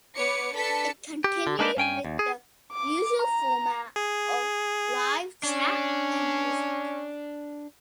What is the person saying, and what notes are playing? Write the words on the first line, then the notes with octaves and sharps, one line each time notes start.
It continued with the usual format of live chat and music.
B3 B4 C#5 D6 C#7
D4 A4 B4 A5 B6 C#7
G4
D3
G#3 A#3 D4 D#4 B4 D5
G2 C#4 G5 G#5
D#2
G#4
D6
A#5
G#4
C#4 D4